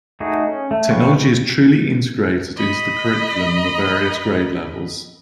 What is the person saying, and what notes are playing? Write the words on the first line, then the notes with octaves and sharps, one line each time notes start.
Technology is truly integrated into the curriculum in the various grade levels.
A3 D#4 F#4 G#4
C#4
A3
B4 C#5 F5 G5 C#6
D#5 B5